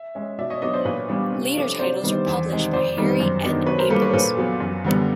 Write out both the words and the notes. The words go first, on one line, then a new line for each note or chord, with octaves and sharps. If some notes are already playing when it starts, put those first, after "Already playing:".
Later titles were published by Harry N. Abrams.
Already playing: E5
G#3 C#4
B2 D5 E5
C#5 D#5
F#3 B3 D4 C#5 D#5
C5 D5
A#2 B4 C#5
G3 B3 D4
C3
F3 A3 D4
C3 C5 D5
D#3 G3 B3 D4
E2
C3 D#3 G#3
F2 C5 D5
C3 D#3 G3 B3
F#2
D#3 F#3 B3 D4
B2 B4 C#5
A#4 C5
G3 A#3 D4 A4 B4
B4 C#5
A#2 A4 B4
F#3 B3
F#2
D3 G3 B3